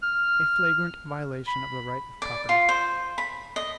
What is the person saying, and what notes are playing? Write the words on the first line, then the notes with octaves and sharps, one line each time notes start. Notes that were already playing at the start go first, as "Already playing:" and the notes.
A flagrant violation of the right of property.
F6
B5
D5
F4
C5
B5
D#5